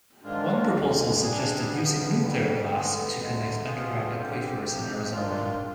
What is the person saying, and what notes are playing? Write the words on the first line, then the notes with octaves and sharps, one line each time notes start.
One proposal suggested using nuclear blasts to connect underground aquifers in Arizona.
G#2 D#3 G#3 D4 F4
D#2 D3 G#3
C3 G3 D4 G#4
G2 F3 B3
F2 D3 G3
D3 G#3 B3
D2 D3 G#3
B2 B3 F4 G#4
G2 D3 G3 C4 G4
F2 C3 F3 C4 G4
D#3 G#3 D4 F4